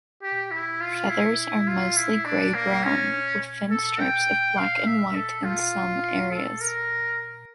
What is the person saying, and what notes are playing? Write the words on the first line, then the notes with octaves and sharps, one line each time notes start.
Feathers are mostly grey brown, with thin strips of black and white in some areas.
G4
E4
F4
E4
F4
E4
D4
A#3
C#4
A4
G5
F5
E5
A4
F4
A4
A#4